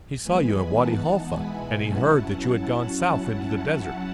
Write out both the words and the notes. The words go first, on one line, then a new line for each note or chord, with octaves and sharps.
He saw you in Wadi Halfa, and he heard that you had gone south into the desert.
E3 G#3 B3 G#5 B5
E3 B3 D#4 F#5 A5
B2 G#3 B3 E4 G#5 B5
F#3 C#4 E4 F#5 A5